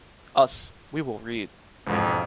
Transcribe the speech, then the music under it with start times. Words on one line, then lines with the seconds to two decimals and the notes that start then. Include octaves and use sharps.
Us, we will read.
1.87 E1 F2 G#2